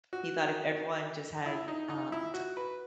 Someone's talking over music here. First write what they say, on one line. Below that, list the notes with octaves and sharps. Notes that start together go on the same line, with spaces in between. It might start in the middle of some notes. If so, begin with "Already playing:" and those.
He thought if everyone just had, um,
F#4
E4
D#4
D#4
E4
F#4
B4